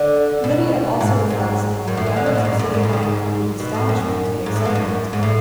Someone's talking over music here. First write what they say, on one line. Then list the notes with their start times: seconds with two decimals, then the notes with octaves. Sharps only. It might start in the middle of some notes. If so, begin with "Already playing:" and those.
Lydia also reflects upon the wonders of city life, with astonishment and excitement.
Already playing: D3
0.44 B2
1.01 G#2
1.30 G#2
1.88 F#2
1.97 A2
2.06 E3
2.16 D3
2.26 B2
2.35 A2
2.45 G#2
2.59 F#2
2.74 G#2
2.83 A2
2.93 C#3
3.03 G#2
3.60 B2
3.74 A2
3.89 F#2
4.46 G#2
4.56 A2
4.65 G#2
4.75 F#2
5.13 G#2
5.23 A2